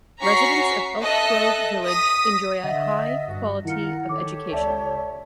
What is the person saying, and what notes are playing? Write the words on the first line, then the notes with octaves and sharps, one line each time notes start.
Residents of Elk Grove Village enjoy a high quality of education.
C#4 F#4 A#5 C#6 B6 C7
A4 D#5 E5 F#6
D#6 A#6 B6
D3 D#5 E5 F#5 A6
G2 F#4
D#3 E4 F4 A#4 F#5 C#7
D#3 G4 A4 C#5 D6
C#2 D5 E5 A5